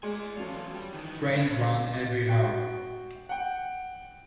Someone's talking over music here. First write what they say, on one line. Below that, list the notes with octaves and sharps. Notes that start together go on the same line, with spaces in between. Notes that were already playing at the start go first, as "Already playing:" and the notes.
Trains ran every hour.
G#3 D5 G#5
E2 F#3 C#4 F4 A4
G3 G4
D#3 E3
G2 D4 C5 D5
F#4 G5
F#5 G5